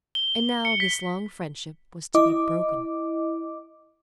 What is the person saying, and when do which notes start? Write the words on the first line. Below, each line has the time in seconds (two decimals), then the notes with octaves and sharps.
And now this long friendship was to be broken.
0.15 G7
0.65 C#7
0.80 B6
2.14 E4 D#5 D6